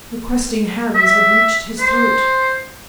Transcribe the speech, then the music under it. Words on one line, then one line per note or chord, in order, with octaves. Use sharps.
The questing hands had reached his throat!
E5
C5